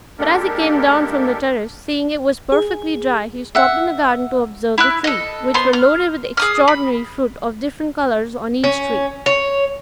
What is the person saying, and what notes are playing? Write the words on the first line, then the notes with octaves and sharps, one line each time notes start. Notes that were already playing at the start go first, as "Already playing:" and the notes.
But as he came down from the terrace, seeing it was perfectly dry, he stopped in the garden to observe the trees, which were loaded with extraordinary fruit, of different colors on each tree.
G#3 A#3 D4 G4 A4 A#4
G#4
E5 F#5
E4 E6 F#6
A4 D#5
B3 C5 C6
F6
G#4 D#6 F6
B5
C#4
C#5